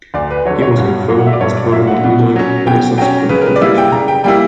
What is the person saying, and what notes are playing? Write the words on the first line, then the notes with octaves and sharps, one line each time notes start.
He was confirmed as permanent leader at a subsequent convention.
D2 D5
B4
D3 F#3 C#5
C#5
G2 F#4
F#3 A#3
F#5
E5
D5
G2 C#5
D5
F#3 A#3 E5
F#5
B2
F#3 C#4
B2 G5
F#3 C#4 G5
C#3 B4
A#4
B4
D5
G3 A#3 E4 E5
G5
C#3 A#5
G5
G3 A#3 E4 G5